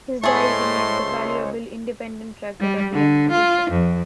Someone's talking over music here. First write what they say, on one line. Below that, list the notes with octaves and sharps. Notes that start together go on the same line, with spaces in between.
His diary remains a valuable independent record of the expedition.
A2 G#3 A3 G#4 C5 C#5 C6
C#2
G3
D3
F4
F2